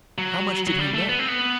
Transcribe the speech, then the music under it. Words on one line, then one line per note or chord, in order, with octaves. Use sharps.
How much did he know?
F#3
F#3
G3
A3
B3
C4
B3